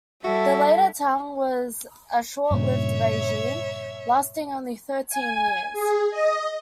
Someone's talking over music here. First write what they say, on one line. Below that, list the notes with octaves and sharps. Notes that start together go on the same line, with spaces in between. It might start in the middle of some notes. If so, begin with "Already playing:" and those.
The Later Tang was a short-lived regime, lasting only thirteen years.
G3 E4 F#4 A4 E5
G2 A#2 C#3 C#5 E5
G#5
G#4
D#5